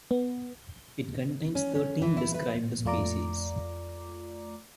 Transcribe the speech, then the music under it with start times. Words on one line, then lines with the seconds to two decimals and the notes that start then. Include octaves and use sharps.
It contains thirteen described species.
0.11 B3
1.55 C#4
1.75 C#4
2.02 E3
2.17 E4
2.34 B4
2.85 F2 A3 F4 D5 A#5 D6